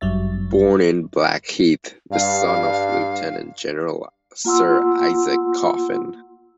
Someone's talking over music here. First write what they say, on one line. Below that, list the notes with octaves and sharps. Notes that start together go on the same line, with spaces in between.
Born in Blackheath, the son of Lieutenant General Sir Isaac Coffin.
G1 F#2 F#3 G3 E5 A6
G2 F5
A#3 F4 F#5 C6 E6